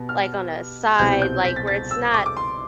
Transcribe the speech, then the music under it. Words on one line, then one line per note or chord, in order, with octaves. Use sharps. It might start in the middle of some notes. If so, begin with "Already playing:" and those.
like, on a side like, where it's not
Already playing: B2 B3 G4
F6
C2 B2 G3 C4 G6
G6
B6
A6
A6
E6
D6
D6
C6